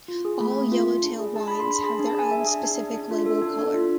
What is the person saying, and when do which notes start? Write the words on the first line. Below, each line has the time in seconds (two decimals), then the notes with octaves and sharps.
All Yellow Tail wines have their own specific label color.
0.08 F4
0.25 G#4
0.40 A3 B5
0.57 C4
0.72 F4
0.88 G#4
1.04 D4
1.19 G#4
1.35 D4 A5
1.48 G#4 B5
1.60 C6
1.67 D4 B5
1.84 G#4 A5
2.00 D4
2.07 A5
2.15 G#4 G#5
2.31 D4 E5
2.47 G#4
2.63 D4
2.79 D4
2.94 D4
3.11 F4
3.26 A4
3.42 D4
3.59 D4
3.74 F4